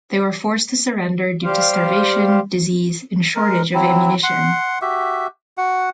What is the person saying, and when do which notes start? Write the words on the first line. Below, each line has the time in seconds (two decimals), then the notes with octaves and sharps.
They were forced to surrender due to starvation, disease and shortage of ammunition.
1.44 G3 G4 C5 F5
3.35 G#3 A#4
3.74 F#3 C4 E4
4.23 F#5 C6
4.82 F#4 G4 E5
5.58 F#4 F#5